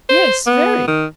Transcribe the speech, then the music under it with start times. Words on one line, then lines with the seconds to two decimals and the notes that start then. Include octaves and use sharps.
"Yes, very."
0.09 C5
0.47 B3
0.88 D#3